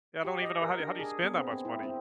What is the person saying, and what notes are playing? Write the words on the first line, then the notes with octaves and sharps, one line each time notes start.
Yeah, I don't even know how do how do you spend that much money?
G4
D#5
A#4
D4
G#4
B3
C4
C4
E4
C4